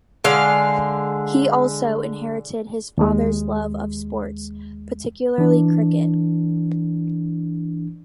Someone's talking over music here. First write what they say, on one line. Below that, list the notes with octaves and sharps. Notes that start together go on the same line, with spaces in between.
He also inherited his father's love of sports, particularly cricket.
D3 G#3 F5
D#2 G#3
E3 D4